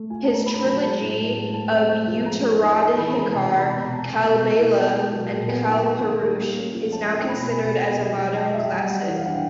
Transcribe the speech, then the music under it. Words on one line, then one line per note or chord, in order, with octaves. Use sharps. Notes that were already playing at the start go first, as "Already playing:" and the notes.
His trilogy of "Uttoradhikar", "Kalbela" and "Kalpurush" is now considered as a modern classic.
Already playing: A3
F4 G#5
A3 A5
A#5
D4 B5
F#3 A#5
G#3 A5
A2
A2
G#3
A3 A5
C4
A3
F3
G#3 A#5
G#3
D#4
D#4
E3 B5
G#3 A#5
C3 A5
A#5
G#3
B5
B2 A#5
A#5
B2
A5
B2 G#5
B2
B2
E4
B3 A5
G#3
F#3
A#2
B3 G#5
D#4 G5
A#3 A#5
D#3
G3
A#3
C#4
F3
C#4 A5
G#5
A3
G5
B2 B5
B2
G#5
B2 G#5
B2
F#3
F#3
F#3 A5
D#5
F#3 E5
G5
G3 G#5
G3 F#5
E3 F#5
F5
D4 F#5
G5